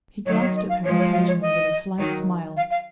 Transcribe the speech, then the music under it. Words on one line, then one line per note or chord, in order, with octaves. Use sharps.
He glanced at her occasionally with a slight smile.
D#3 F#3 C#5
C#5
D#5
F5
F3 G#3 C#5
C#5
F5
C#5
D#5
D#3 F#3
F5
F5